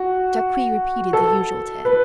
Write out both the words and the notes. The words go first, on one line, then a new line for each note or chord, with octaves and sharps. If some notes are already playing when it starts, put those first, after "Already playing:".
Jacques repeated the usual tale.
Already playing: F#4
A4
B4